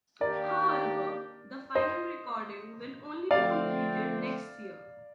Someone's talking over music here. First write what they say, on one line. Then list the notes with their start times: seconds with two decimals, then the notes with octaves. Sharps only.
However, the final recording will only be completed next year.
0.21 D#2 D#3 A#3 D4 G4 A#4 D5
1.75 C5 D#5
3.31 F2 D3 A3 C4 D5 F5